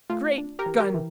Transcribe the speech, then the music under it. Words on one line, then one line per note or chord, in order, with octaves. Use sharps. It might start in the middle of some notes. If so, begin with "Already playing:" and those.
Great guns!
A3 F4
D4
G4 A#4
E3
G4 A#4
E3